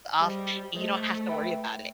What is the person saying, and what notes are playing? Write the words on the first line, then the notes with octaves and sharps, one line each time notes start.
off, and you don't have to worry about it.
G3 G#4 C5 D#5
A3 G#4 C5 D#5
B4 E5 G5 B5